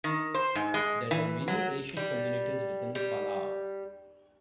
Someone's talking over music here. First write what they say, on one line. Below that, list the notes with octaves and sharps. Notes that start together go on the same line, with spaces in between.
There are many Asian communities within Palau.
D#3
C5
G#2
G#3
E3
F#3
G3
G3